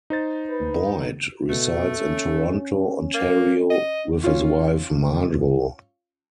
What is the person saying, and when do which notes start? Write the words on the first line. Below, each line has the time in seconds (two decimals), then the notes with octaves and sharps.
Boyd resides in Toronto, Ontario with his wife Margo.
0.10 D#4 C5 A6
0.50 B4
1.49 B2 A3
1.97 C#4
3.14 A#3
3.70 D#5
4.24 C#4 F4